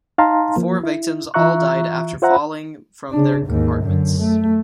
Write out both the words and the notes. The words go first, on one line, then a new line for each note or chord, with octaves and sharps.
The four victims all died after falling from their compartments.
D#4 F5 A5 A#5 C6
F3 A#3
E4
E3 F4 E5 A#5 C#6 F#6
F4 C5 E5 F#5 A#5
C#3 D4
D#2 G#2
F#2 D3
A3